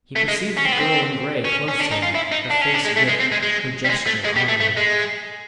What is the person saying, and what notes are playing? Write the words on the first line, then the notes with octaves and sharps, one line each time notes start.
He perceived the girl in grey close to him, her face lit, her gesture onward.
A3
G#3
C#4
C4
B3
C4
C#4
C#4
D4
D#4
F4
E4
D#4
D4
C#4
D4
G#3
A3
G#3
C4
G#3
G#3
G3
G#3
A3
G#3
G3
A3
A3
G#3